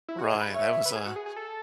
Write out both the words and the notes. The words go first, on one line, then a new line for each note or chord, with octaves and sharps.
Right, that was a
E4
F#4
G#4 D#5
B4
C#5 E5
B4
G#4
F#4
G#4
G#4
A4